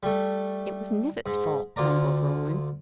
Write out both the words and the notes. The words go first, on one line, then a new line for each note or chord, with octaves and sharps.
"It was Knivett's fault," grumbled Roland.
G3 A3
G#2
D2 F4 D5 A#5